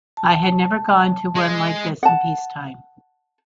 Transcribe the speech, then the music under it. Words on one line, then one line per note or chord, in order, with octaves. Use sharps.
I had never gone to one like this in peacetime.
A5
G#3
F#5 A5